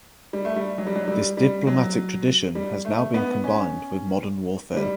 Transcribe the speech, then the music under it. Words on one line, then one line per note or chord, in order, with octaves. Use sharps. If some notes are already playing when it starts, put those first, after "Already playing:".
This diplomatic tradition has now been combined with modern warfare.
G3
A3
G3
F#3
G3
F#3
G3
G3
F#3
G3
A3
B3
C#4
G3